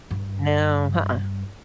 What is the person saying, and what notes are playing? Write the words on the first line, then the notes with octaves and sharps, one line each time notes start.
No, uh-uh.
G2